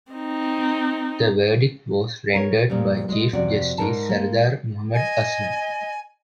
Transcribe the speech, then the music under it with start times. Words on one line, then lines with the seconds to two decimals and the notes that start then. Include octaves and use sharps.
The verdict was rendered by Chief Justice Sardar Muhammad Aslam.
0.12 C4 D#4
2.33 A#4 B4 C#5
2.70 F2 A#2 F3 G3
3.09 G#3 C#5 D#5
3.33 F2 C3 F#4 D5
3.78 G#2 B2 A#4 A5
4.09 G#3 A#3
4.94 D#5 G#5